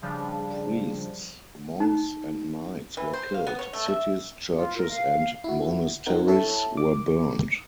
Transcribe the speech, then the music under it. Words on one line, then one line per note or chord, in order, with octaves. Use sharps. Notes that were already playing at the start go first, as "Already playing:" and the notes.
Priests, monks and knights were killed; cities, churches and monasteries were burned.
C#3 F3 G3 D4
D#4
E3
C5
F5
B3
C#5
A3
E5
F4
A#4
F5
E4 F#4
C4 D#4 A#4 F#5
E4 A4 C#5 A5
D6